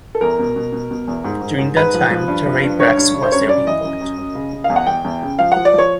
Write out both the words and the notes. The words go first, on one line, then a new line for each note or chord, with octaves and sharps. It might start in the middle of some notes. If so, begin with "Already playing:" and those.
During that time, Torraye Braggs was their import.
A4
E2 A#4
B2
B2
B2
B2
E2
G#2
G#2
G#2
G#2 B4
F3
F3
G2
F3
G2
D3 C#5
G2
G2
C5
F#2 C#5
F#2 D5
E3 D#5
F#2
F#2
F#2
C#3
C#3
F5
E2
F#5
E2 G5
E2
C#3
F3 F5
F3 F#5
D5
F3 C#5